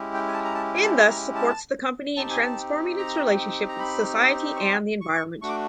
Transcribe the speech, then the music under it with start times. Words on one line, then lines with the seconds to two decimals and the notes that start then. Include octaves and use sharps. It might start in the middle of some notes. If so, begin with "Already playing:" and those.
It thus supports the company in transforming its relationship with society and the environment.
Already playing: G#3 C#4 E4 G4
0.14 G5
0.28 G#5
0.34 A5
0.44 A#5
0.54 A5
0.74 G#5
0.82 A5
1.09 A#5
1.35 A5
2.17 C4 D#4 G4 A5
2.30 G#5
2.43 A5
2.98 A#5
3.68 A#5
3.79 B5
4.56 C#6
4.60 C6
5.01 C#6
5.09 D6
5.16 C#6
5.42 A3 D4 F#4 C#6
5.49 D6